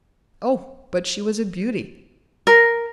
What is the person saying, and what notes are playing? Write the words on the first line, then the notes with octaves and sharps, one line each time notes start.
Oh! but she was a beauty!
A#4